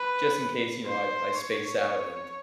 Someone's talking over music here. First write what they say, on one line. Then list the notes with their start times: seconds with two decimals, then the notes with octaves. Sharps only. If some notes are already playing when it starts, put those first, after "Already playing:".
just in case, you know, I I space out and,
Already playing: B4
0.86 C5
1.35 C#5